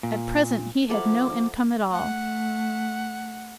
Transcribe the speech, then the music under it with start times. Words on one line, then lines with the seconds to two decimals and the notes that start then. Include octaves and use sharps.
At present he had no income at all.
0.03 A#2
0.90 F3 E4 F#4 A4 A#4 D6
1.91 A3 F#5